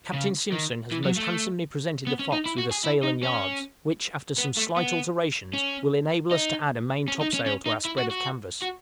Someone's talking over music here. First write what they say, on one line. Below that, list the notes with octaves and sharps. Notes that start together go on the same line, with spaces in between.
Captain Simpson has most handsomely presented the 'Fox' with a sail and yards, which, after some slight alterations, will enable us to add a main topsail to our spread of canvas.
C#3
D#3
E3
F#3
A3
B3
C#4
D#4
E4
F#4
G#4
E4
D#4
C#4
B3
A3
B3
C#4
D#4
C#4
D#4
C#4
C#4
D#4
E4
F#4
F#4
F#4